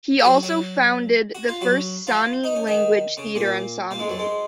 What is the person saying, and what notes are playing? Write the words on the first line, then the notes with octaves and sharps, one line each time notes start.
He also founded the first Sami language theatre ensemble.
G#4
F#3 F#4
F#3 F#4
F#4
F4
F#3 F#4
F3 F4
D#4
C#4
D#3 D#4
C#3 C#4
A#2 A#3
A#2 A#3
G#2 G#3
F#2 F#3
G#2 G#3